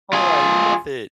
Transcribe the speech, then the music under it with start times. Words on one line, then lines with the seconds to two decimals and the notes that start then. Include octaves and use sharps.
Oh, I love it.
0.13 F4 G#4